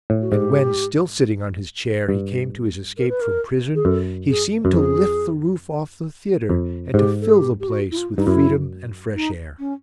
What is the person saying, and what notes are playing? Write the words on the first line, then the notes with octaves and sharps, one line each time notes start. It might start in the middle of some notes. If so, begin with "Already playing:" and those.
And when, still sitting on his chair, he came to his escape from prison, he seemed to lift the roof off the theatre and to fill the place with freedom and fresh air.
A2
F#4
G#2 G4
G2
A#4
B4
A#4
G#4
F#2 A4
G#4
F#2
F2 G#4
F2
G#2 G4
A4
G#4
G4
G4
F#4
E4
F4
G2 D#4
F#2 E4
D#4
C#4